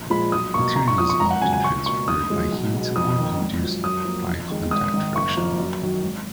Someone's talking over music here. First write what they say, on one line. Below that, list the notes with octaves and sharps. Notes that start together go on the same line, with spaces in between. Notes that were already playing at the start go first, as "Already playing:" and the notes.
Material is often transferred by heat or induced by contact friction.
Already playing: A#1
A#2 F3 G#3 B5
B1 D#6
B2 A#3 C#6
A#1 A#5
C#6
A#2 F3 D#6
C#6
G#1 A#5
F#5
F#2 C#3 F3 G#5
G#5
C#2 C#6
B2 A#3 C#6
F#1 D#6
F#2 F3 G#3
B1
B2 G#3
F2 D#6
D#3 A#3
G#1
F#2 F3
F#2 D#6
F3 A#3
F2
D#3 G#3
G#1 D#6
G#2 D#3
F#1 C#6
F2 F3 A#3
F#2
D#3 F#3
G#1